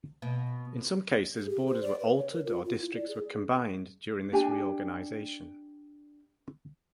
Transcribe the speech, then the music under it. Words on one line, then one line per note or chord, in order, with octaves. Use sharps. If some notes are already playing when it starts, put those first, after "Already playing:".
In some cases, borders were altered or districts were combined during this reorganisation.
B2
G#4
G4
C5
D5
B4
C#5
A#4
F4
F4
E4
D5
G#4
D4 G4 G5 G#5